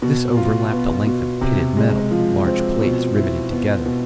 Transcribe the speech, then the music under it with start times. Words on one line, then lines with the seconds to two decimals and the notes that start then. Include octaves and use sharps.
This overlapped a length of pitted metal, large plates riveted together.
0.02 B2
0.37 F4
0.72 B3
1.07 B2
1.41 C3
1.77 G#3
2.11 F3
2.46 C4
2.81 B2
3.16 E4
3.51 B3
3.86 B2